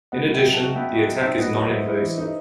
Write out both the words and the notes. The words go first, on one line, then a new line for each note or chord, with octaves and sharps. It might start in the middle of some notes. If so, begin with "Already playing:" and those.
In addition, the attack is non-invasive.
B3 D#5 F#5
F#3
E5 G5
F#3
F#5 A5
F#4
B3 E5 G5
F#4
D#5 F#5
F#3
D#4 C5 E5
B3 B4 D#5
F#3
F#3 C5 E5
E4
E3
D#4